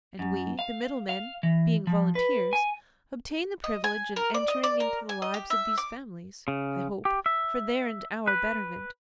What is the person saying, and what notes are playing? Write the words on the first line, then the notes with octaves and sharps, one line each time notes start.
And we, the middlemen, being volunteers, obtain the privilege of entering into the lives of these families, I hope, for their and our betterment.
F#2
F5
F5
E3
F3
B4
G#5
D#5
G#5
A#4
D5
D#5
D5
A#4
G#5
D#5
G4
E5
D6
C#3
G4
E5
B4